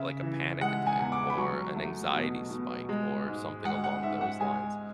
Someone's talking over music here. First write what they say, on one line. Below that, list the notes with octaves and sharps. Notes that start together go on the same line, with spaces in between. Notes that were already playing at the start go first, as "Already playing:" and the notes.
like a panic attack or an anxiety spike or something along those lines,
Already playing: C#3 E5
E3
G#3 F#5
G#5
E2
D6
B5
F#3 C#6
A3
B2
B2
G#3
G#2
G#3 F#5
F#5
G#2 E5
F#5
G#3 G#5